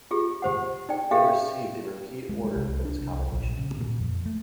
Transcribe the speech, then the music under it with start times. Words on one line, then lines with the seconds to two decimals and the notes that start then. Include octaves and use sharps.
They received a repeat order for this combination.
0.11 F4 G4 G#4
0.42 G4 C5 F#5
0.89 D#4 D5 G5
1.11 G4 G#4 E5 F5 G5
2.29 G#3
2.44 G#3
2.56 C2
2.85 D4
3.00 C2
3.32 A#1
3.58 C#3
3.78 A#2
4.00 F2
4.26 A3